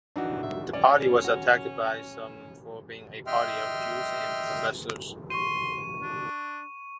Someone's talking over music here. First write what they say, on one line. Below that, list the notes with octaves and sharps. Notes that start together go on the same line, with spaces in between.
The party was attacked by some for being a party of Jews and professors.
E3 D4 D#4 F#4
E5
C#4 D5
F#4
D#5 E5 G5 C6 F6
C6 C#6 D#7
D4